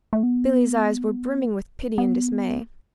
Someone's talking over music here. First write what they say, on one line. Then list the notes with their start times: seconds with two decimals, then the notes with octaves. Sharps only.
Billy's eyes were brimming with pity and dismay.
0.13 A3
0.23 B3
1.98 B3